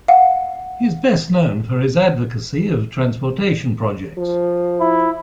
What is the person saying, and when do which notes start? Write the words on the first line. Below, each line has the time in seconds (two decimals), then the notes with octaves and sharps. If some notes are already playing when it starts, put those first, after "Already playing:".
He is best known for his advocacy of transportation projects.
0.08 F5 F#5
4.17 F3
4.80 E4